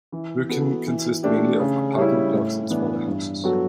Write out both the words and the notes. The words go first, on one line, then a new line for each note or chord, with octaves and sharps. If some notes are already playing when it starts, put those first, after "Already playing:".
Rykkinn consists mainly of apartment blocks and smaller houses.
E3
B3 F#4 A4
E3
A3 D4 G4
C#3
G3 C#4 E4
A2
E3 B3 D4
G2
F#3 B3 F#4 A4